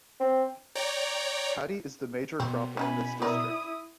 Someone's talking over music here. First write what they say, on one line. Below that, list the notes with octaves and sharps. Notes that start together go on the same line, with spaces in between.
Paddy is the major crop of this district.
C4
C#5 D5 G5 A#5
B2 C4
C#4 E4 B4 G#5 B5
E4 A#4 B4 D5 D#6